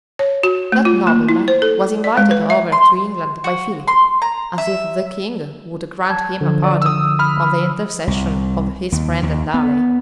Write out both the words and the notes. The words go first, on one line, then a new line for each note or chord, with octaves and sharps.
That nobleman was invited over to England by Philip; as if the king would grant him a pardon, on the intercession of his friend and ally.
C#5
F#4
A3
F4
A#3
E4
C5
A4
D5
G#3
B4
E5
C6
F#4
C6
A#5
E5
A5 G#6
D3 F3
D5
D#6 E6
B5 F6
C2
D#2
D#2
B3